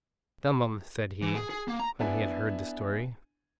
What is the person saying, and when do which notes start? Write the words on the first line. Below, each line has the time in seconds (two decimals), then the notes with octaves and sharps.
"Dum 'em," said he, when he had heard the story.
1.22 E3
1.35 G#4
1.50 G#4
1.68 A#3
1.79 A#5
1.99 B3 D4 E4 G#5